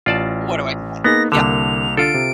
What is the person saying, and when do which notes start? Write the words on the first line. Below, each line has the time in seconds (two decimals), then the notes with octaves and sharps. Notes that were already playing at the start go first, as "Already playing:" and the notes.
What do I say?" yeah.
0.06 A1 F4 D5 A5
1.04 A#3 B3 D#4 G#4 A#6
1.32 C2 D3 A#3 E7 F7
1.97 D3 F4 A4 D7
2.14 C3